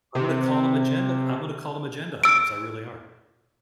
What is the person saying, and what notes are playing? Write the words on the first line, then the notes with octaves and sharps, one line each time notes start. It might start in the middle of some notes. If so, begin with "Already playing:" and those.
I'm gonna call 'em agenda I'm gonna call them agenda items, I really are.
C3
E6 D7